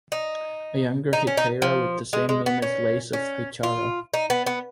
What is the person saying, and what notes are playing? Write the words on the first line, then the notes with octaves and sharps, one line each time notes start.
A younger hetaira with the same name was Lais of Hyccara.
D#4
D#4
C#4
D#4
F3
G#3
G#3
B3
C#4
C#4
F4
D#4
B3
B3